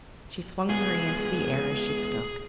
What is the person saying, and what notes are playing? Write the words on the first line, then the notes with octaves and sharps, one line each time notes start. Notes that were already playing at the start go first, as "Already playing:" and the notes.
She swung Marie into the air as she spoke.
G#3 B3 F4 G#4